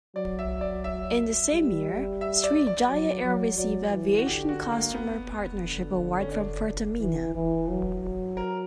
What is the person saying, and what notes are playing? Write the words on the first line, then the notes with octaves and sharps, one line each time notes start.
In the same year Sriwijaya Air received Aviation Customer Partnership Award from Pertamina.
F#3 D5
E5
D5
E5
G3
E5
D5
D5
F#3
F#3
F#3 D5
E3
F#4
D3 G4
F#4
A#3
B3
D3
C#4
D4
E3
E3
F#3
A#4